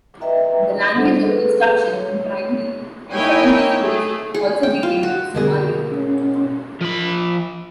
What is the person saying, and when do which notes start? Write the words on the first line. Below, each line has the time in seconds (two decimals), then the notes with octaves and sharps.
The language of instruction in primary and secondary schools also became Somali.
0.21 B4 D#5 E5 G5 A#5
0.95 G3 D4 A4 C5 F#5
1.24 G#4 A4 B4
1.92 C#5
3.12 A#3 D#4 E4 C#5 G5 G#5
3.81 A3 G#4
4.34 G#4
4.63 G5
4.83 F4
5.03 F#4
5.35 B2 D3 A#3 G#4
5.92 C#4
6.81 F3 B5